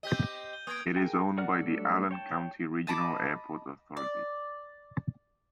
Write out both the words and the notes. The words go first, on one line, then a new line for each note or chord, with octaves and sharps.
It is owned by the Allen County Regional Airport Authority.
C4 G4 D#5 G6 D#7
G7
A#3 D#6 G#6 D7
G#4 A#4 G5 G#5
F#4 A#4 D5 F#5 F6
F#3 G3 A3 D4 A4
C#5 G5 A5
D#5 A5 B5 D6
D5